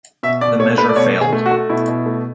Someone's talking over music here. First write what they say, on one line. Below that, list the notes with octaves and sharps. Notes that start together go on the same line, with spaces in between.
The measure failed.
B2 E5
B2 D5
A3 C#5
A3 B4
D5
B2 C#5
B2
G#4
A3
F#4
A3
B2 E4
B2
A3